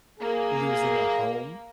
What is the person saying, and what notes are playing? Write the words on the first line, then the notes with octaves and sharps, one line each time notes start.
losing a home.
A#3 G#4